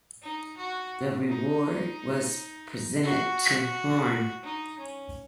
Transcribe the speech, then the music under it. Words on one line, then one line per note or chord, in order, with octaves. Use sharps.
The award was presented to Horne.
D#4
F#4
D#4
F#4
D#4
C#4